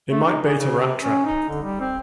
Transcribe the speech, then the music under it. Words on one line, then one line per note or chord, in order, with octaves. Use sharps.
It might bait a rat-trap.
A3
D#4
G#4
C#3
C3
C#4
D#4
D3
G3
C4